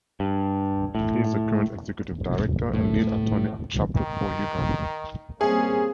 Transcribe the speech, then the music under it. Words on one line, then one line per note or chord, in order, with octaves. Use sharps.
He is the current Executive Director and Lead Attorney at Chapter Four Uganda.
G2
A2
A2
D#3
G3 A#3 C4 C#4 G#4